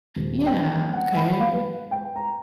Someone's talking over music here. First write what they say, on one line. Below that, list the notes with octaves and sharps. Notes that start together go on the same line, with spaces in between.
Yeah, okay,
D#1
G5
F#5
B5
F5
B4
G5
A#5